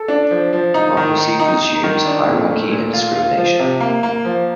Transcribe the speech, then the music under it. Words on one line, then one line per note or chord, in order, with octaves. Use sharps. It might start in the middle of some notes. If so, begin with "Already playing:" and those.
Democracy presumes hierarchy and discrimination.
Already playing: A4
D4
F3
F3
D#4
D#3
D#4
D#4
D#4
D#3
D4
A#2
A3
A#2
F4
F4
F3
C3
A#3
A#3
F3